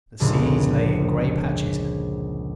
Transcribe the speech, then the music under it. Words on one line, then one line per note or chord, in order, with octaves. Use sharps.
The seas lay in gray patches.
F1 C#2 A#2 D3